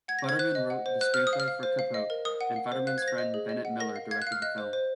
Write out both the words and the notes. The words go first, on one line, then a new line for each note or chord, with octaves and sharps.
Futterman wrote the screenplay for "Capote", and Futterman's friend Bennett Miller directed the film.
F#5 G#6
A#6
C5 G#6
C5 F#6
D#5
F#5
C5
C5 F#6
C5 F6
D#6
F5
F6
F5
C5
F5
D#5
A#4
A#4 D#6
F#5
F5
C5
F5 F#6
G#6
C5
A#6
D#5
G#4
D#5
F#5
A#4 A#6
F5
F5 G#6
F#6
F5
F6
D#5 F#6
C5
C5